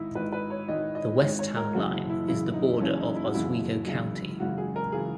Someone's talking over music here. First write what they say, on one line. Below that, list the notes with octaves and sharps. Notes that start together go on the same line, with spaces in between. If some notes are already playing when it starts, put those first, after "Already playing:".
The west town line is the border of Oswego County.
Already playing: G#1 G#2 D#3 D#4 E4
G#1 G#2 D#3 B4
B4
C#5
G#1 G#2 D#3 D#5
D#5
G#1 G#2 D#3 C#5
C#5
A#4
F#1 F#2 C#3 E3 F#4
E4
E4
F#1 F#2 C#3 E3 E4
D#4
F#1 F#2 C#3 E3 C#4
D#4
E4
F#4
F#1 F#2 C#3 E3 E4
G#1 F#2 C#3 E3
G#1 F#2 C#3 E3 F#4
G#4
A#4
C#3 E3 G#4